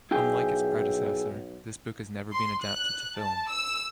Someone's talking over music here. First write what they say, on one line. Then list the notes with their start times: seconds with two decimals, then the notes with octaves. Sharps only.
Unlike its predecessor, this book has never been adapted to film.
0.11 B1 E4 G#4 G5
2.32 C6
2.63 F#6
3.16 A5
3.49 E6